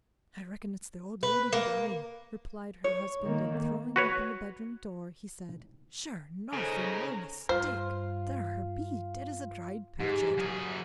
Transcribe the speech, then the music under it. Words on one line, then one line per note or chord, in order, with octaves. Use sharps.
"I reckon it's the old lady be down," replied her husband, and, throwing open the bedroom door, he said: "Sure enough, and no mistake--there her be, dead as a dried pilchard."
B4
A#3
C#5
D#3 A#3
F#4 B4 C#5
C#3 C#4 D#4 A4 C5 C#5 A#5
G2 F4 C5
G#2 G4
F#2 G#4